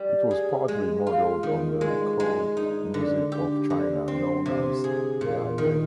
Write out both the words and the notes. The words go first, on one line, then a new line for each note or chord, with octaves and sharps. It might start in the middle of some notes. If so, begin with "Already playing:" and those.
It was partly modeled on the court music of China, known as "yayue".
Already playing: G3
G#4
G#3
F4
D#3
G#3
G#3
D#4
D3
G4
D3
C4
C3
G#4
A#2
D#3